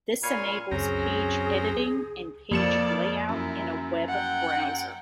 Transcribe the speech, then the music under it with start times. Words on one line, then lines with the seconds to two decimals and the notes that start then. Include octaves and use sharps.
This enables page editing and page layout in a web browser.
0.23 A#2 C#5 F5 G#5 B5
0.71 C#2 F#2 C4 C#4 G#4 A#5
2.51 F2 F3 A#3 A#4 D5 C#7 E7
3.29 F#2 E4
4.09 F#5 G5